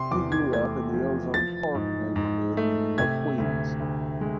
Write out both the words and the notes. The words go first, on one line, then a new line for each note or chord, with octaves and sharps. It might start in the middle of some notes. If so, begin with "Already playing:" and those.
He grew up in the Ozone Park neighborhood of Queens.
Already playing: C3 C6
E2 D6
G#6
A3 G#6
F3
F3 A6
G#2
G#2
A3
C3 G#6
D2
D2
G#3